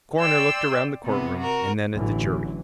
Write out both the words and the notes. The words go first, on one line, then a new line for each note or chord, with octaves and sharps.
The coroner looked around the courtroom and then at the jury.
D5 G5 C6 E6
C3 B3
F#4 A#4
A1 D3 E3 F#3